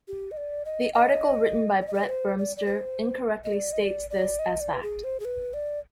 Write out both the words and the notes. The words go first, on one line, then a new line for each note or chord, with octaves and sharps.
The article written by Brett Burmster incorrectly states this as fact.
G4
D#5
D5
D#5
D#5
D5
D#5
D5
B4
C5
D5
D5
C5
D#5
D5
D#5
D5
D5
D#5
D5
B4
G#4
C5
G#4
B4
D5